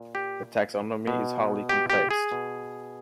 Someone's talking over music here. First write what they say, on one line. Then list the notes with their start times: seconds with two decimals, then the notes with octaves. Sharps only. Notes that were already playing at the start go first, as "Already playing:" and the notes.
The taxonomy is highly complex.
Already playing: A#2
0.15 G4
1.07 B2
1.69 G4
1.90 G4
2.11 G#4
2.32 B2